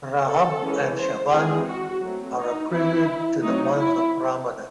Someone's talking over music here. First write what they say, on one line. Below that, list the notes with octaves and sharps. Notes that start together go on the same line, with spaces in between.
Rajab and Sha'ban are a prelude to the month of Ramadan.
A4
E3 G#3 C#4
C5
E3 G#3 C4 G#4
F#4
F#3 A3 C4
D#4
E3 C4 E4
F#3 A3 C4 D#4
E4